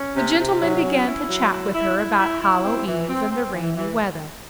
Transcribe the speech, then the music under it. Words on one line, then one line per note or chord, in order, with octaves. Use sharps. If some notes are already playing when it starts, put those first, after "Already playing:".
The gentleman began to chat with her about Hallow Eve and the rainy weather.
Already playing: C#4
C3
C3
F#3
C#4
E4
F#3
E4
E4
E4
E4
E4
C4
E3
C4
C4
E3
E3